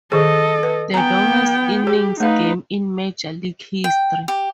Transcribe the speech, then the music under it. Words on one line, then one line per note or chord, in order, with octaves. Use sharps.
The longest Innings game in Major League history.
D#3 G#4 A4 D#5
B4
B3 G5 G#5 A#5
G4 G#4
A3 D#4 B4 F5
G5
G4